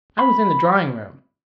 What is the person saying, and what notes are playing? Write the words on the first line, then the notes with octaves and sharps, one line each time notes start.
"I was in the drawing-room."
B5